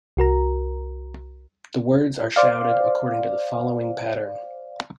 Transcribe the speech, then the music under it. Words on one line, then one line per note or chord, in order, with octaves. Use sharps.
The words are shouted according to the following pattern.
C2 F#4 A#4 A#5
C5 D5 F5